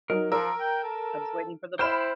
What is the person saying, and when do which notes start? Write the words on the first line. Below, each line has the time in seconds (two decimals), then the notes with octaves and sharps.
I was waiting for the "but."
0.10 F#3 D#4 A#4
0.32 F3 A#4 E6
0.60 G5
0.83 A4
1.79 E4 C5 G5 B5 C6 F6 E7